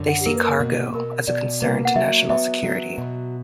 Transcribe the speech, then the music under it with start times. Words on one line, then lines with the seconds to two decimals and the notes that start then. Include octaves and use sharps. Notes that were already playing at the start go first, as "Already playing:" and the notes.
They see cargo as a concern to national security.
Already playing: F#2 D3
0.08 F#5
0.21 G4
0.26 A#3 A#4
0.35 B4
0.43 A#4
0.60 B2
0.94 B2 A#4
1.27 B2 D5
1.62 A#3 B4
1.85 F#5
1.96 F#3 E5
2.29 B3 E5
2.63 F#3
2.98 B2